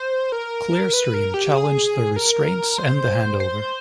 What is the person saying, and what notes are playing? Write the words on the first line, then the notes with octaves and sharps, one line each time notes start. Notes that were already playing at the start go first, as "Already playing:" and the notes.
Clearstream challenged the restraints and the handover.
Already playing: C5
A#4
B4
A#4
G4
G#4
A#4
C5
C5